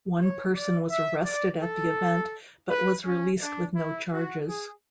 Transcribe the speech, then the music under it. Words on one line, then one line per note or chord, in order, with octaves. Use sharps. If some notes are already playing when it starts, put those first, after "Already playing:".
One person was arrested at the event but was released with no charges.
C#5
D5
E5
D5
A4
B4
C#4
D4
E4
F#4
G#4